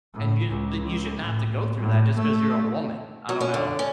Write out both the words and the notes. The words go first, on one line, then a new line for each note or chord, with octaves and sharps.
and you you shouldn't have to go through that just 'cause you're a woman. I don't know.
A2
C#2
A2
A2
A3
F#3
C#4
D3
C#4